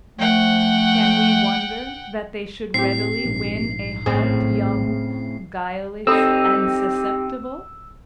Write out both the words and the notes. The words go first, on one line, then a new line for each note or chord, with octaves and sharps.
Can we wonder that they should readily win a heart young, guileless, and susceptible?
F3 A3 F#5 G5
A2 C4 G4 C7
A#1 G#2
A2 C#3 C4 G#4
C4 D#4 G4 A4 B5 E6